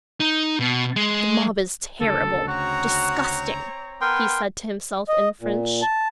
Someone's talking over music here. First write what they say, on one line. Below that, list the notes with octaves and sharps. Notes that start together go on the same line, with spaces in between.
"The mob is terrible--disgusting," he said to himself in French.
D#4
B2
G#3
D2 C#3 A4
C4 F#4 C#5 A#5
B3 A#4 G5 C6
D#5
A#2
A5